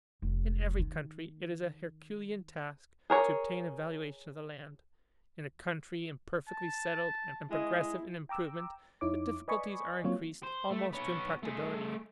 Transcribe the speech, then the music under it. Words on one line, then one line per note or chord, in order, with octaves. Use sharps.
In every country it is a herculean task to obtain a valuation of the land; in a country imperfectly settled and progressive in improvement, the difficulties are increased almost to impracticability.
F1
D#3
G#4 A#4 C#5
A5
G#3 E4 D#5
G5 A#5 D6 E6
F2 D#4 E4 C#5 D6
B4 D5 D#5 G#5 B5 C#6
F#3 A#3 C4 F4 C#5
C5
A3
B3 C#5
A3 G#4